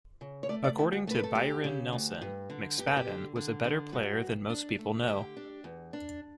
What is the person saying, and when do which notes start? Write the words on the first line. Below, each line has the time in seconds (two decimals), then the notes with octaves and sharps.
According to Byron Nelson, McSpaden was "a better player than most people know".
0.21 C#3
0.43 C#5
0.49 A3 D5
0.64 D5
0.78 D2 E4
0.93 F#4
1.07 A3 B4
1.23 A4
1.35 D2 G4
1.64 C#3
1.93 D2
2.21 G2
2.50 D3
2.78 G2 G4
2.87 A4
2.97 G4
3.08 D3
3.36 D3
3.64 D3
3.92 G2 F#4
4.22 G2
4.50 D4
4.79 A3
5.07 D3 G4
5.37 D4
5.64 E2
5.93 D4